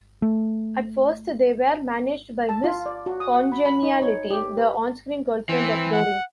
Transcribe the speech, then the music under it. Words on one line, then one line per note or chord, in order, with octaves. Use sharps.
At first, they were managed by Miss Congeniality, the onscreen girlfriend of Doring.
A3
A5
F4
D5
F#4
D#6
F#5
B5
B5
D#4
C#5
G4
B4
E3 C4
F#5